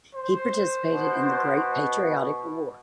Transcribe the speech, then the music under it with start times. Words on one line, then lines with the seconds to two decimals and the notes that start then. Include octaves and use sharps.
He participated in the Great Patriotic War.
0.15 C5
0.89 B2